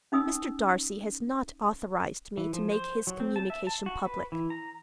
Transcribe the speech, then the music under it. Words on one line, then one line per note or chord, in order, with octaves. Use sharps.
Mr. Darcy has not authorised me to make his communication public.
C#4 D#4 D#6 E6
E3
F3
C5
F#3
C4
A5
E5
A5
F#4
B4
E3
A#5